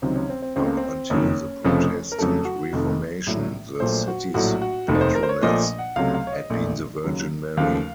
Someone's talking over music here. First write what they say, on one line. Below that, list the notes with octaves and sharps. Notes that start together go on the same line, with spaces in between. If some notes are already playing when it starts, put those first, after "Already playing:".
Up until the Protestant Reformation, the city's patroness had been the Virgin Mary.
C#2 C3 D#3 F#3 C4
C#4
C4
C4
C#2 C#3 A3 C4
A#3
C4
F#1 F2 D#3 C#4
F1 F2 C#3 F3 A3
A#4
F2 C#3 F#3 A3 A4
F#4
F1 F2 D#3 A3
A#1 A2 F#3
A#1 A#2 F#3 A3 C5
F#4
A#1 A2 F#3 A3 F#4
F#4
F1 D#2 D#3 A3
C5
A#4
C5
C#5
A#1 A#2 F3 A3 D#5
D#5
F#5
C#2 C3 F#3 A3 F5
F5
C#5
D#5
A#1 A#2 A3
D#2 C#3 F#3
D#2 C#3 F3 A3 F5